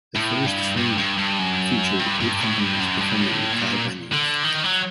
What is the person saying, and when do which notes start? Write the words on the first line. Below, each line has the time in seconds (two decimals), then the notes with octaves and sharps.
The first Fringe featured eight companies performing in five venues.
0.15 A2
0.46 G2
0.76 G2
0.98 G2
1.18 G2
1.39 F#2
1.99 G2
2.20 G2
2.40 A2
2.60 G2
2.80 F#2
3.01 G2
3.21 A2
3.52 A#2
4.13 D3
4.43 D#3
4.64 F#3